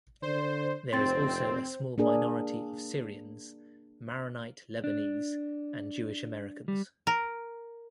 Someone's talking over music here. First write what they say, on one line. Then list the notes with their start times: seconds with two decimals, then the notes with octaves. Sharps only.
There is also a small minority of Syrians, Maronite Lebanese, and Jewish-Americans.
0.22 D3 C5 D5
0.93 F1 C4 C5 C6 A6
1.98 A#3 D4 G#4 A#4
4.84 D4
6.68 G3
7.07 A#4